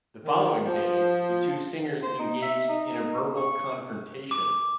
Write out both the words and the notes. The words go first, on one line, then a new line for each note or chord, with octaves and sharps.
The following day, the two singers engaged in a verbal confrontation.
D#3
F3
C5
D#4
E5
D#4
C#6
D6